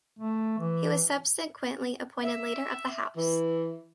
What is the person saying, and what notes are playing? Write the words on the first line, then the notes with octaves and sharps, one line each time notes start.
He was subsequently appointed Leader of the House.
A3
E3
E5
E3